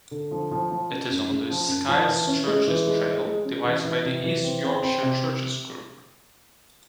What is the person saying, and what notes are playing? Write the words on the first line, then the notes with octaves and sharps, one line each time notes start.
It is on the Sykes Churches Trail devised by the East Yorkshire Churches Group.
D3
F3
F3
F3
C#3
F#2
C#3
F3
F#2
F3
E3
C#4
G#3
E3
G#3
G#3
G#3
C#4
E3
E3
C3
E3
C4
C4
C4
C3